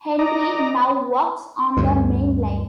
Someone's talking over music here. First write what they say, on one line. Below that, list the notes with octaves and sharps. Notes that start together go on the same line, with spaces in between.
Henry now works on the main line.
D5 D#5 A#5
D2 G2